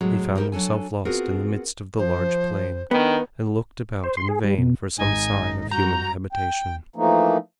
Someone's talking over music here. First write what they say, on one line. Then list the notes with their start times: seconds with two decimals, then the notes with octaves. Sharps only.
He found himself lost in the midst of the large plain, and looked about in vain for some sign of human habitation.
0.01 A2 C3 F#3 G#3
0.35 D#4 E4 F#4 G4 A#4
0.52 F#3 D4 A4 G#5
1.05 B3 C4 F4 F#4 G#4 A#4
1.98 F3 C5
2.91 D#3 B3 D4
4.04 C5
4.17 C6
4.29 G#4
4.44 G3
4.58 B2
4.98 G#1 D#4 G#5
5.71 G2 F#4 A#5 G6
6.33 G5
6.96 E3 F3 A3 A#3 D#4